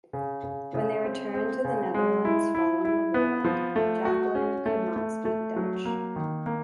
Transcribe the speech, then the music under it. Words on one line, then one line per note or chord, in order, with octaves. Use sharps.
When they returned to the Netherlands following the war, Jacqueline could not speak Dutch.
C#3
C#3
C#3
C4
C4
C#3
G#3
E4
E4
E4
B3
F3
A3
F#4
C#4
A3
A3
A3
F#3
A#3
D#3
A#3